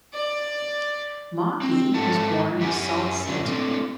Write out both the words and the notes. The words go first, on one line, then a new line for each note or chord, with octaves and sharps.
Maki was born in Sault Ste.
D5
C4
G#2 G#3 A4 E5 F#5 A5
F#2 G4 E5 F#5 G#5
B2 D3 F#3 C#4 D4 F4
A3 C4 D4